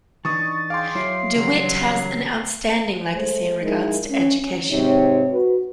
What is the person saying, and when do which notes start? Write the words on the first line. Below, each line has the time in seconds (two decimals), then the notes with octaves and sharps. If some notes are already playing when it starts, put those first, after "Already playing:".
DeWitt has an outstanding legacy in regards to education.
0.25 E3 D4 D#4 C#6 D#6 A6
0.70 G#4 F5 G5 C6 D6
0.95 F#3 E4 D5 C7
1.35 C#3 E3 F#3 G3
3.14 G#3 A3 C5
3.62 G#3 D#4 E4 A#4
4.09 C#4
4.39 C#4
4.70 G#2 C3 C4 D#4 C#5
5.30 F#4 B4